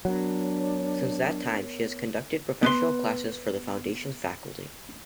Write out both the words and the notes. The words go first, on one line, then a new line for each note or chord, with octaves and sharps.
Since that time, she has conducted professional classes for the Foundation's faculty.
F#3 B3 D4 A#4 C#5
B3 B4 C6